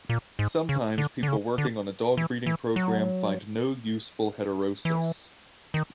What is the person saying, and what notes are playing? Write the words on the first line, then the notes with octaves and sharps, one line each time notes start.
Sometimes people working on a dog breeding program find no useful heterosis.
A#2
G#2
C#3
D3
D3
C#3
D3
E3
E3
F#3
E3
D#3